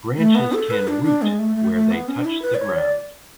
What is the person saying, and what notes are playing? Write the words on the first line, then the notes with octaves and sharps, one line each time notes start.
Branches can root where they touch the ground.
A3
B3
A4
B4
D4
D4
G#3
A3
A3
A3
B3
C#4
D4
E4
B4
D5
C#5
D5